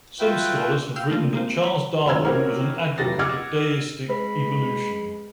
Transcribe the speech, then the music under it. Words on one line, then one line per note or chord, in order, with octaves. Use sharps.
Some scholars have written that Charles Darwin was an advocate of deistic evolution.
F4 F#4 B4 E5 G5
F5 G5 E6 F6 G6
F3 A3 A#3 D4 F4 A#4
G#3 A#3 C4
B5
G#1 F#3 C#4 A#5 E6 G#6
C#4 E4 F#4 G4 A#4 C5
F1 F#3 G4 A6 A#6
D#5 F#5 D6 E6 F6 G#6
G#3 B4 B5